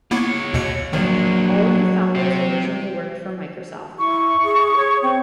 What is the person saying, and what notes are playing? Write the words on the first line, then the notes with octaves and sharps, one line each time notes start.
All of the founders originally worked for Microsoft.
A#3 B3 E4 F4 C#5
D#2 B2 C#7
D#3 F#3 A#3 D4
C4 G4
E4 C#6
G#4
C#5
C4